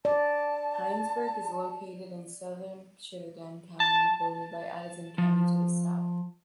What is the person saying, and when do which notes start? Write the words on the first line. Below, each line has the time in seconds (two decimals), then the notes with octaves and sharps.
Hinesburg is located in southern Chittenden County, bordered by Addison County to the south.
0.05 D5 A5
3.80 A5
5.18 F3